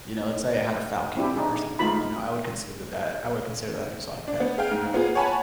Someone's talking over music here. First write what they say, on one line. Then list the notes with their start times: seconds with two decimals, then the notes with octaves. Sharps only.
you know, let's say I had a falcon, or something, you know, I would consider that I would consider that an exotic pet,
1.17 C4 D4 E4 G4
1.36 D4 D#4 G#4
1.79 G#3 A3 D#4 F4 B5
4.28 D4
4.40 B3
4.58 G#4 F5 G5
4.71 G#2
4.93 A#3 B3 F4 G#4
5.15 C#5 F#5 G#5 A5 B5